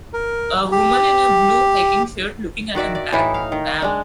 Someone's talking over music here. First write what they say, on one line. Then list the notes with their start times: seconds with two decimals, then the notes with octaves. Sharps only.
A woman in a blue hiking shirt looking at a black ram.
0.13 A#4
0.72 G4
2.75 D#3 F#4 D5 E5
2.95 D5
3.12 A2 E3 D#4 E4
3.34 F5
3.52 D#3
3.82 G#3 D4